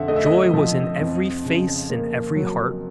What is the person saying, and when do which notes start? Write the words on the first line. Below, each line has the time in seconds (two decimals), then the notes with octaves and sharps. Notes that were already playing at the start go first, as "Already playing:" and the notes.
Joy was in every face and every heart.
Already playing: F2 D3 E5 F#5
0.08 A3 D#5
0.16 E5
0.25 D#5
0.54 F3
1.00 F2
1.45 C#3
1.90 A#3
2.36 F#3